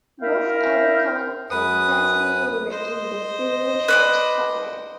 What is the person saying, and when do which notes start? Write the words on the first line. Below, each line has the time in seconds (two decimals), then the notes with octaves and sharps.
Both Abercorn and Paisley were in the peerage of Scotland.
0.22 E4 A#4 E5 F5 G5
1.51 F#2 B4 D#6
2.71 C5 D#5
3.88 B4 C#5 D5